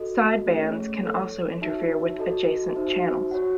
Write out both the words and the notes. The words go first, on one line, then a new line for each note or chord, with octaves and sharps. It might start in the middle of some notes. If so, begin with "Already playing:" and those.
Sidebands can also interfere with adjacent channels.
Already playing: F#4 A4 D#5
A3 C#4 G#4 C#5
E4 A4 C#5
D#4 F#4 C#5 E5 A5
F#4 A4 D#5 A5
D#4 F#4 C5 E5 A5
F#4 C#5 F#5